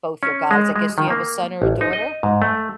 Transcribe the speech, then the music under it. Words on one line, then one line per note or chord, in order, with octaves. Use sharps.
both you guys. I guess, do you have a son or a daughter?
C#4
G#3
G#3
D#3
A#3
A1
D#4
D#5
G#2
A3